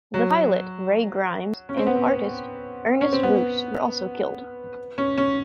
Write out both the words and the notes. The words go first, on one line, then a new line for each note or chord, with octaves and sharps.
The pilot, Ray Grimes, and artist Ernest Roose were also killed.
F#3
C#4
C4
B3
C4
C#4
C4
B3
C#4
C#4